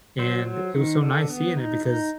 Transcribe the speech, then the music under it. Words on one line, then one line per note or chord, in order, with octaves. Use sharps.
and it was so nice seeing it because,
F#3 C5
F#3
D#3
D3
B3
D#4
D#4